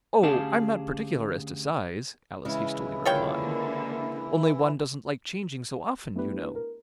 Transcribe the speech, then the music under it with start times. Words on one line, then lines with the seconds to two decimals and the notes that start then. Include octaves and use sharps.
'Oh, I'm not particular as to size,' Alice hastily replied; 'only one doesn't like changing so often, you know.'
0.23 D2 C#4 G4 G#4 F5 A5
2.45 C#3 E3 G#3 E4
3.05 D3 A#3 F4 C#5 G5
6.15 A3 B3 D4 E4 G4 B4
6.56 A#4